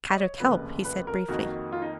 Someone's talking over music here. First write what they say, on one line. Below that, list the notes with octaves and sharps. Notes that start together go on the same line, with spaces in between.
"Kadok help," he said briefly.
D#5
C#5
F1 D#2 C#3 B4
B4
A#4
F2 D#3 A#3 F#4
F4
D#4